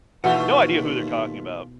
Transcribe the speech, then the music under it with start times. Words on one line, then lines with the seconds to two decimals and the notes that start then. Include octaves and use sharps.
No idea who they're talking about.
0.24 D#2 B2 E3 A3 E4 F4 E5 F#5